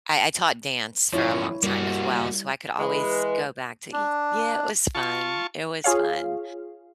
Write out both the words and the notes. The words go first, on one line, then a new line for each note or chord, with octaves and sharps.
I I taught dance for a long time as well, so I could always go back to e yeah, it was fun. It was fun.
F3 C#4 E4 C#5
G3 A#3 F#4
E3 G#3 B4
D4
F4 A5 C#6
F4 G#4 C#5 F5